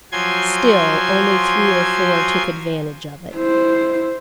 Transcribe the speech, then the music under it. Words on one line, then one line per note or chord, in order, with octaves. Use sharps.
Still, only three or four took advantage of it.
F3 F#3 G#5 C6 G#6
E4 C5